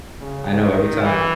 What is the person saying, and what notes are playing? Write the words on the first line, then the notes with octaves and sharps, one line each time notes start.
I know every time
C#3
D#3
E3